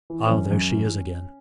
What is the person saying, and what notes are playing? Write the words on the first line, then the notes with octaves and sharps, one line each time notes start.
Ah, there she is again.'
E3
C4
F#2 C#4
F#2
E3